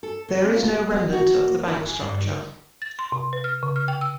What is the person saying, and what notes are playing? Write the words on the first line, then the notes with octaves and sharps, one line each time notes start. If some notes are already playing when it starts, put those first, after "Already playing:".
There is no remnant of the bank structure.
A4
C#3
C4
F4
G4
B3
F#4
A#3
E4
G#4
G2
D#3
A6
C6
C3
B4
F6
C#3
F6
G5
E6